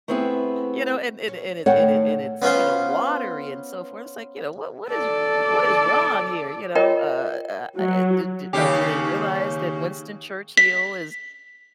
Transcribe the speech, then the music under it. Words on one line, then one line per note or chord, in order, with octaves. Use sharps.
you know, and and and it's and it and it's you know, watery and so forth. It's like, you know, what what is what is wrong here, you know, uh, uh, uh, d d uh, do they realize that Winston Churchill is
A3 B3 C4 E4 G#4 B4
C#4
A2 D#3 A3 C#5 F#5 G5
B3 C#4 F4 C5
A4 D5
F4 A#4 C#5 D#5 G5
F#3
D#2 C#3 G4
B6